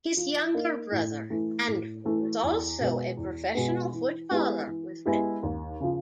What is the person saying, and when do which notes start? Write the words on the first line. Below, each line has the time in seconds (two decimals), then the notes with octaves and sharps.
His younger brother Andrew was also a professional footballer with Renton.
0.17 F3
0.55 A#3 D#4
0.91 A2
1.30 E3 A3
1.67 A2
2.05 E3 A3
2.43 E2
2.80 B2 G#3 B3
3.17 E2
3.55 B2 G#3 B3
3.93 E3
4.31 G#3 B3 E4 G4
4.67 E3
5.06 G#3 B3 E4 G4
5.43 D#2
5.80 C#3 F3